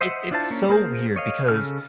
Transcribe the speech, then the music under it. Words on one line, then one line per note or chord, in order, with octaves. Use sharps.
It it's so weird because,
C5 D#5 E5 F#5
D4 E4 F4 C5 A5
A#3 C#4
A#3 G#4 A#4 C5
C#5 D#5 F5
C#3 D4 A4 F6